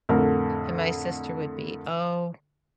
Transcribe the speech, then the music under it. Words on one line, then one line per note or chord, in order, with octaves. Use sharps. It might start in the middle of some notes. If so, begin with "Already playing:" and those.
And my sister would be, "Oh,
F2 A2 D3 A#4